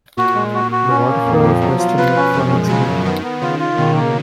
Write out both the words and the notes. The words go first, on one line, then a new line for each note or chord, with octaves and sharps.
The water flow is best in mid-fall and spring.
A#2 F#4
G#3
F#4
F#4
C#4
A#3
F2
F3
B2 F#3
F4
F3 B4
C#4
F#2 F3
G#3
C#3 F#3
F#2
D#3 B3
B3
C#3 F4
F4
B2 D#3
A#3